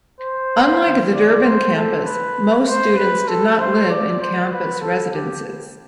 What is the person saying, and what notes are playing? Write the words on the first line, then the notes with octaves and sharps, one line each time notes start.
Unlike the Durban campus, most students did not live in campus residences.
C5
D5
C5
A4
B4
C5
B4
A4
C5
D5
C5
B4
A4
G4